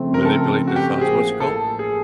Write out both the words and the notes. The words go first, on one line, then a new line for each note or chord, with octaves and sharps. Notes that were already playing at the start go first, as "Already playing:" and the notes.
manipulate their thoughts. What's it called?
Already playing: C#3 F3 A3 C4
A#4
A4
F#4
G4
A1 A2 F3 A#3 G#4
A4
G#4